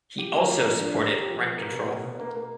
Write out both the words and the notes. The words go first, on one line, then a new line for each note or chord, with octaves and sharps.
He also supported rent control.
G4
A#3
A#3
F3
D4
A#3
G4
F3
B2
A#3
B2
B2
B2
A#3
A#3